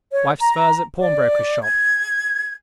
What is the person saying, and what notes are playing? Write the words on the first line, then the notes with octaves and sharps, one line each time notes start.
Wife's furs at pawnbroker's shop.
C#5
A#5
D5
G#6